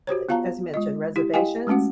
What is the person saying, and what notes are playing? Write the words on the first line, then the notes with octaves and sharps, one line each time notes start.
uh, as you mentioned, reservations.
F#4 G4 C5 C#5
B3 F4 F5 A5 A#5
G#3 F4 D#5
E4 G4
E4 G4 D#5 F5 G5 G#5
G#3 A3 C#4 F#4 F#5